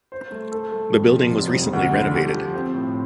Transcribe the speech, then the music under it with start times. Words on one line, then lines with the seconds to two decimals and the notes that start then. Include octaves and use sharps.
The building was recently renovated.
0.12 C5
0.32 A3
0.52 A4
0.72 A3
0.92 F2
1.13 F3
1.33 F1
1.53 F2
1.73 D2
1.93 D3
2.13 G4
2.34 F3
2.54 C4
2.74 A2